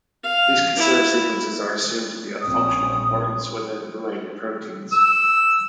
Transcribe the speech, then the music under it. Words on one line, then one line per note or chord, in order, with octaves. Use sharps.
These conserved sequences are assumed to be of functional importance within related proteins.
F5
E4
A#1 C4 C#4 D#6
E6